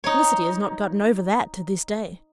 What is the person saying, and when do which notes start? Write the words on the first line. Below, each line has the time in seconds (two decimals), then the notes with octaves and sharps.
Felicity has not gotten over that to this day.
0.04 D#4 C#5